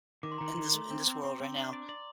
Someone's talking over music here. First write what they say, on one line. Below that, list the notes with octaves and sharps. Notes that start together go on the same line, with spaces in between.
in this in this world, right now.
D#3 D6
C6
D#3 A#5
C6
D#3
A3
C4
C4
C4
C4
D4
D5
D5